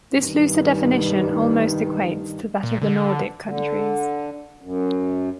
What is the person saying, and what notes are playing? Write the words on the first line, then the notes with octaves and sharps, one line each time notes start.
This looser definition almost equates to that of the Nordic countries.
G2 D#3
A#2
D3
D3
F#2